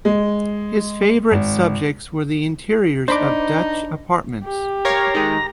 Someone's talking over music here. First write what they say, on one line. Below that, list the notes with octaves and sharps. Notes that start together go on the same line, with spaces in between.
His favourite subjects were the interiors of Dutch apartments.
G#3
G#1
D4 D#4 C5 B5 D6
G4
A#4 C#5 F5 A#5
D#3 G#3